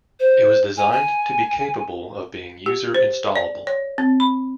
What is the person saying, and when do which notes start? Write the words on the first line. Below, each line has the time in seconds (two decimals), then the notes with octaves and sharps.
It was designed to be capable of being user-installable.
0.20 C5
0.77 G#5
0.92 G#5
2.66 G4
2.95 C5
3.36 D5
3.67 C#5
3.98 C4
4.20 B5